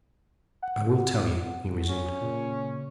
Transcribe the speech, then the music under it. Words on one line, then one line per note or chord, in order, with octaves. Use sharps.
"I will tell you," he resumed.
F#5
C#4
A#2 C#3